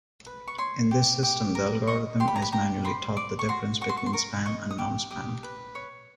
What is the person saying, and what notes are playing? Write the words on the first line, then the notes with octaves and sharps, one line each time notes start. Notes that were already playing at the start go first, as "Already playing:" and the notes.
In this system, the algorithm is manually taught the differences between spam and non-spam.
B4
C#6
C#5 C6
G4
G4
A#4
D#5 C#6
G4 C6
B5
A#5
B5
G4 A#5
C5 B5
D5 D6
C#6
F#4 C6
F#4 C#6
C6
C#6
C6
A#4 C#6
D#5 C#6
D#6
G4 D6
G4 D#6
B4
C#5